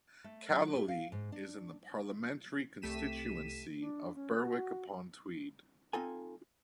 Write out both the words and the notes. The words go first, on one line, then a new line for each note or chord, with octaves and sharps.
Callaly is in the parliamentary constituency of Berwick-upon-Tweed.
A3
F#3
G4
F5
G#2
D4
C2 A3 G4 B6 D#7 E7
D4
C#4
F#4
C4 D#4 F4 A4 G#5